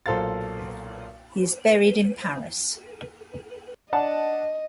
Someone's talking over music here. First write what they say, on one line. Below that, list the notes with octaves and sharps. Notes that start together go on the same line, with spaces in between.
He is buried in Paris.
B1 A#2 A4 C5 F5 A6
D4 D#5 F#5 A5